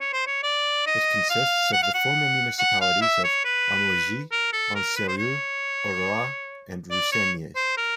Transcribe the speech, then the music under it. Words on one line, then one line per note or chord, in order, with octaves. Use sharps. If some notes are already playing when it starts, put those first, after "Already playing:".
It consists of the former municipalities of Amougies, Anseroeul, Orroir and Russegnies.
C#5
C5
C#5
D5
D#5
F5
F#5
F5
F#5
F#5
F5
E5
C#5
B4
A#4
A4
A#4
B4
C5
C#5
D5
C#5
C5
A#4